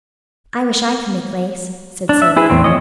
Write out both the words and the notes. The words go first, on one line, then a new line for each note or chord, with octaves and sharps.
"I wish I could make lace," said Sylvia.
D4
E5
E4 G#4 B4
E2 A2 C4
F2 G#2 C#5 D#5